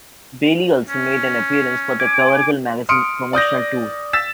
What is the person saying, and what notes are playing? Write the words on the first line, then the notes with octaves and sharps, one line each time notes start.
Bailey also made an appearance for the Covergirl Magazine promotional tour.
C#4
G#5 D6
C6 D#6 F6 C#7 D7
D5 D#6 G6 A#6
E6 A6 B6 E7